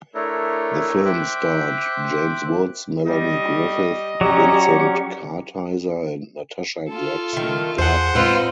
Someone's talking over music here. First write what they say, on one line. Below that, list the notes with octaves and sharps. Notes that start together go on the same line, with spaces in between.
The film starred James Woods, Melanie Griffith, Vincent Kartheiser and Natasha Gregson Wagner.
A3 D4 E4 A4 A#4 C#5
C5 E5 G5 D6 F#6
G3 D#5
F#3 C#4 G4 D5 A#5 C#6
F4 A4
D#3 A3
E2 G#4 C5 F#5
A2 G#3 C4 D#4 F4 B4